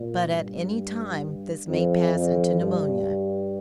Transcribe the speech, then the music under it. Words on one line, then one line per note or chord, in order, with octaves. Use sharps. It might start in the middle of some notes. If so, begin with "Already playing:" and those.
But at any time this may pass into pneumonia.
Already playing: A#2
G2
F2
F2
G2